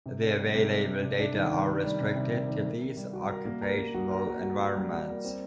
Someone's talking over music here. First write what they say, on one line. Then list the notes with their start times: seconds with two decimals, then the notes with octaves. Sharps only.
The available data are restricted to these occupational environments.
0.06 C3
0.22 D4
0.37 G3
0.54 C3
0.71 G3
0.87 D4
1.03 C3
1.20 D4
1.35 D#3
1.52 D#3
1.67 G3
1.84 G3
2.00 C3
2.16 C3
2.33 G3
2.49 D#3
2.65 A#4
2.82 A#4
2.97 G3
3.13 F#4
3.29 A#4
3.45 A#3
3.62 A#4
3.78 A#3
3.94 F#4
4.11 A#4
4.27 F#4
4.43 F#4
4.60 A#3
4.76 G3
4.92 G3
5.08 A#4
5.24 C4